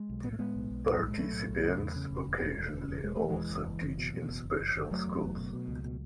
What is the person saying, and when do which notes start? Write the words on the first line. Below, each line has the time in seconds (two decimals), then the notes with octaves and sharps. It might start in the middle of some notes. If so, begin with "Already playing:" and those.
Participants occasionally also teach in special schools.
Already playing: G#3
0.09 B1
0.24 A2 B3
0.32 A3
0.39 A2 G#3 B3
0.55 B1
0.71 B1
0.87 A2
0.97 F#3
1.03 B1
1.08 G#3
1.17 B1 F#3 A3
1.33 A2
1.49 B1
1.64 C#3
1.80 E2
1.96 C#3
2.11 E1
2.27 E1
2.42 E1
2.58 E1
2.73 E1
2.88 E1
3.04 E1 G#3
3.17 E1 A3
3.29 E3 G#3
3.36 E2
3.50 F#1
3.66 F#1
3.82 F#1
3.98 B2
4.14 B2
4.29 F#1
4.44 F#1
4.60 F#1
4.75 F#1
4.91 F#1 F#3 A3
5.06 E2
5.22 F#1
5.37 B2
5.53 B2
5.68 C#2
5.84 B2